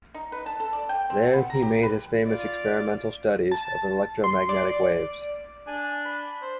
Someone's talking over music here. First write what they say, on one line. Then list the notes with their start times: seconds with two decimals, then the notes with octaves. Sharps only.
There he made his famous experimental studies of electromagnetic waves.
0.14 D#4
0.32 B4
0.46 A5
0.60 A4
0.73 D5
0.89 G5
1.10 C4
1.33 B3
1.50 A#5
1.62 G4
1.83 B4
2.25 F4 D5
3.52 A5
4.24 C6
4.49 D5
5.67 D4 G#5
6.05 B5
6.42 C5